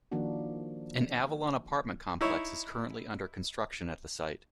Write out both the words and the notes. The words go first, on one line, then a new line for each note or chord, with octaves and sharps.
An Avalon apartment complex is currently under construction at the site.
D#3 F3 A#3 D4 F#4
D#4 E4 C#5